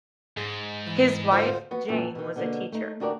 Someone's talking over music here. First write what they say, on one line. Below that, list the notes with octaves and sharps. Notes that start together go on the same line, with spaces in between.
His wife, Jane, was a teacher.
G#2 G#3
E3
D2 C4 F4
B3 F#4
F#2 A#2 E3 C4 A4
B2 D#3
B2 D3 A#3
A3 D#4
D2 D4 F#4 G4 A#4 D5